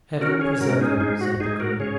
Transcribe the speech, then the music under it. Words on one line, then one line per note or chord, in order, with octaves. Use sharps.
"Heaven preserve him!" said the queen.
C#4 F#4 A#4
G#4 C#5
G#2 F#4 A#4
D#4 G#4
G#2 D#4 G#4
F#4
G#2 D#4 G#4
F#4 A#4
C#3 G#4 C#5